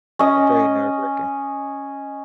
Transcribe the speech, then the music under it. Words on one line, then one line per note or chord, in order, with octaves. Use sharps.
very nerve-wracking.
C#4 D#5